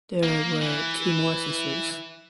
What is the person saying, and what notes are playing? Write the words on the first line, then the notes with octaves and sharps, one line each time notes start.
There were two more sisters.
A#3
E3